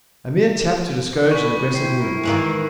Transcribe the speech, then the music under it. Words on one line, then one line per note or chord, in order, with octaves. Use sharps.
A mere tap to discourage an aggressive movement.'
G#4 B4 C#6 B6
E4 C5 G5 C7
E4 A#4
D#3 E3 G#3